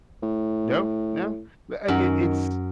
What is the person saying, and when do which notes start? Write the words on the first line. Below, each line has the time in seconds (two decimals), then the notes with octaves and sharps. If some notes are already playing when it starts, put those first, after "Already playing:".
No, no. But, I I it it's
0.23 A2
1.88 F#2 D#3